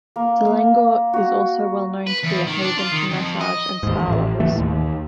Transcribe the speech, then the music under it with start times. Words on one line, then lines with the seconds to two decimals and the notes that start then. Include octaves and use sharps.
Selangor is also well known to be a haven to massage and spa lovers.
0.16 A#3
0.47 A#3
1.13 F#4
2.07 B4
2.24 E2
2.48 D#3
2.62 D4
2.78 F4
2.91 D#3
3.11 F2
3.41 D#5
3.83 D#2 G#2
3.98 A1
4.40 D#1 A2 E3 A3
4.57 D#2